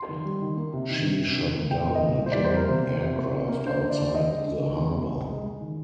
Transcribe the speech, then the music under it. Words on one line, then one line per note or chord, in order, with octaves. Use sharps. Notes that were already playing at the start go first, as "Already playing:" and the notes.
She shot down a German aircraft outside the harbour.
Already playing: C6
D#3
G3
D#3
A#3
C3
D#3
C3
C3
D#3
A#3
A#2 G5
A#3
D#5
A#2
A#2
C5
G3 D5
C5
A#3 A#4
C3 C5
C3
C3
A#3
C3
A#3
D3 C5
D3 C5
D5
D3
D3 D#5
G#3
D3
D#3
G#3
C3
C3
G#3
G#3
D#3